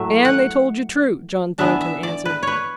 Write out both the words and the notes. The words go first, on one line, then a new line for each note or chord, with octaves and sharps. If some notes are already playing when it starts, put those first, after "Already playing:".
"And they told you true," John Thornton answered.
Already playing: A2 F#3 A3 E5
F#5
E3 B3 D4 E5
E5
D5
B4
B4 C#5